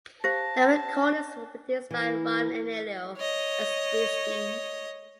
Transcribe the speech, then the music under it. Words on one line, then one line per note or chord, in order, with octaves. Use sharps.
The recordings were produced by Ron Aniello and Springsteen.
G4 C5 F5 A5 A#6
E3
C#5 D#5